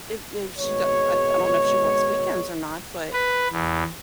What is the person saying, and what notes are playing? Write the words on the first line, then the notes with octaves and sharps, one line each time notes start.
if if she da I I don't know if she works weekends or not, but
G#1 B2 G#3 C#5
B4
E2